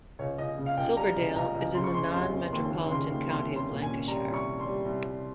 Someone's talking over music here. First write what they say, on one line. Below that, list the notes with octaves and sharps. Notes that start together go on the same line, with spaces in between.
Silverdale is in the non-metropolitan county of Lancashire.
C#2 C#5
C#2 D#5
C#3
F5
C#2 G5
G3 A#5
C#2
C#2 A#5
C#2
C#3 C6
C#6
C#3 C6
F1 C6
F1
D#2 C6
D#2
C#3 C6
D#2
C2 C6
C#4
C6
A#2
G#5
C#4
G3 A#5
C2
C#6
C#4
C6
G3
C2
C2